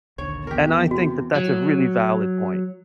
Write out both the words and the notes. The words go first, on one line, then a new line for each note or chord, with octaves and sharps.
And I think that that's a really valid point.
A#1 D#2 D3 C#5
E2 G4 A#4
C3 F#4
F#3